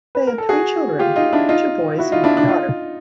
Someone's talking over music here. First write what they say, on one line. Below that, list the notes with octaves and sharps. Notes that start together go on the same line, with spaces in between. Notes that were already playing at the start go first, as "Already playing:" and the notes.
They had three children, two boys and one daughter.
B4
A#4
A4
F#4 G#4
F4 G4
D#4 F4
D4 E4
D#4 F4
E4 F#4
D#4 F4
D4 E4
D4
D#4 F4